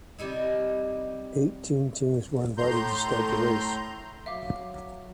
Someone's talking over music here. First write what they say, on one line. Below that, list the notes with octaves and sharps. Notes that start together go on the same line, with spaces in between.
Eighteen teams were invited to start the race.
C3 G3 D#4 E4
A2 A3 A#5 C6 G6
F#3 E5 F5 D6